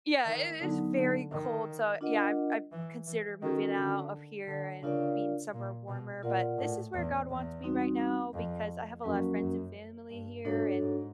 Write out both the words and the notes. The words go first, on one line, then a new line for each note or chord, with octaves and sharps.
Yeah, it is very cold, so yeah, I've I've considered moving out of here and being somewhere warmer, but this is where God wants me right now because I have a lotta friends and family here and,
D#3
D3 F#3 B3 D#4
D3
D#3
D4 F4 A#4 D#5 F#5
E3
E3
D#3 C#4 F#4 A4
D3
D3
C#3 D4 F4 A#4 D5 F5
A#2
B2
A#2 F4 A#4 D5 F#5
A2
E2
E2
G3 C4 D#4 F#4
F2
F2 F#3 A#3 C#4 F#4 A#4
F#2
G2
G#2 D4 F#4 A4 C#5
G#2